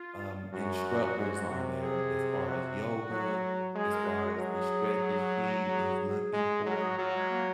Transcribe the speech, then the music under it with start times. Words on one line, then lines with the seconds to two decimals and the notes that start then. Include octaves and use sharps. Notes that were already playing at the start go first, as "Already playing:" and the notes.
um, instructors on there as far as yoga, as far as the stretches she is looking for,
Already playing: F4
0.53 F#2 F#4
1.17 G#2
1.50 C3
1.82 G#4
2.47 F#4
3.11 F#3
3.75 G#3 G#4
3.92 A#4
4.02 F#4
4.08 G#4
4.24 F#4
4.34 A#4
4.40 F#3 G#4
5.69 G#4
6.33 G#3
6.66 F#3 A#4
6.80 G#4
6.89 F#4
6.98 F#3 F4
7.14 G#3
7.30 A#3